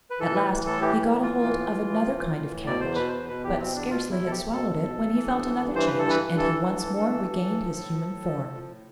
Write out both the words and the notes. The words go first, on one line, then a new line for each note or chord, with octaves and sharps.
At last he got hold of another kind of cabbage, but scarcely had swallowed it when he felt another change, and he once more regained his human form.
B4
E3 A4
A2 B4
E3
A2 A4
E3 G4
A2
E3
F4
A2
E3
A2
E3
A2
E3
A2
E3
A2
B2 D5
E2 C5
B2 B4
C5
E2
B2 B4
E2 G4
B2 C4
E2 D4
B2 F4
E2
E4
B2 A4
G4
E2
B2 A4
E2
B2
E2
E3
G2
E3
G2
E3 C5
G2 B4
A4
E3 B4
G2
E3 A4
G2
E3
G2
E3
G2
E3
G2
F3
A2
F3
A2
F3
A2
F3
A2